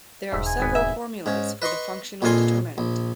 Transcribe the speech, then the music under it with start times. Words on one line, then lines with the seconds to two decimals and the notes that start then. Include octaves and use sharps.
There are several formulas for the functional determinant.
0.32 E1 D#2 G#2 E5
0.46 G#5
0.60 G#1 B3
0.75 E5
1.26 G#2 C#4
1.62 B4 D#5 C6 C#6
2.22 A#1 F2 A#2 F4 G#5 C6
2.78 A#1